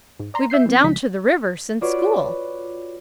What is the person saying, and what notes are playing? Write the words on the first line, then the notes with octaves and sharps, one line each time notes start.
"We've been down to the river since school."
G#2
D5 A#5 C6
E5 E6 G6 C7
E3 C4
C#2 F3 G#3 B6
F4 F#4 B4 C#5 D5 F#5